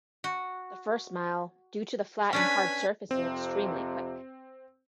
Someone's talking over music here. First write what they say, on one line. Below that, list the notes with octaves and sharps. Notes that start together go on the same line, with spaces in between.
The first mile, due to the flat and hard surface is extremely quick.
F#4
C#4 D4 B4 G#5 B6
F2 C3 C4